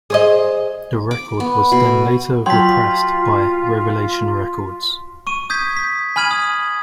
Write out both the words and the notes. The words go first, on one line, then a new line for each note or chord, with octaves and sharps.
The record was then later repressed by Revelation Records.
G#4 C5 D#5
D6
B3
B2
F#3 F4 G5 A5 C6 B6
C#6 D#7
D#6 G6 G#6 B6
B6
G#5 B5 F6 G#6 D#7 F#7
D#6